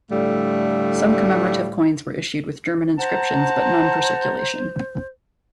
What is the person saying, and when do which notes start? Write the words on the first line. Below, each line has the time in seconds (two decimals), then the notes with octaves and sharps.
Some commemorative coins were issued with German inscriptions but none for circulation.
0.11 A2 D3 G3 A3 F5
2.99 C5 F#5 A5 A#5